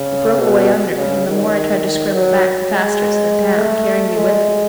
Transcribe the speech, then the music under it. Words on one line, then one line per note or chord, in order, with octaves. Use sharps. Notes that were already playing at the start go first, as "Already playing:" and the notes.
It broke away under me and the more I tried to scramble back the faster it slid down, carrying me with it.
Already playing: C#3
B2
C#3
D#3
D#3
F#3
G#3
A3
G#3